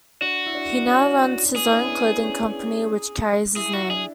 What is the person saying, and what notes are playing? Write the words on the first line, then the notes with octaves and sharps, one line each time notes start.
He now runs his own clothing company which carries his name.
D4 F#4
E4
D4
C#4
B3 G#4
E4
D4
C#4
B3
C#4
E4 G#4
F#4
E4
D4 G#4